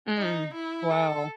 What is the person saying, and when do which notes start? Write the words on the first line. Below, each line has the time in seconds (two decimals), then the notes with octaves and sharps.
Mm, wow.
0.18 D#4
0.54 E4
0.91 A4